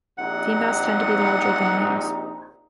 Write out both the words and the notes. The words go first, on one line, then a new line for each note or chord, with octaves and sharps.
Females tend to be larger than males.
A#1 C3 D#4 F#5